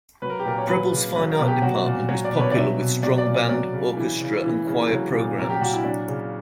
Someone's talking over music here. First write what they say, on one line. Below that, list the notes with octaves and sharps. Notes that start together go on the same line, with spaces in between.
Preble's fine arts department is popular, with strong band, orchestra, and choir programs.
F#3 B4
A#4
G4
A#2 A#4
C#5
F#3 B4
C#3
F#3 B4
A#4
B2
G4
F#3 F#4
A#2
F#3 C#5
D5
B2 B4
C#5
D5
F#3 E5
B2
F#3 D5
D5
A#2
D5
F#3 D5
C#3
E3
C#3
E3
C#3
F#3
A#2
F#3 A#4
G4
A#2 F#4
E4
F#3 D4
C#3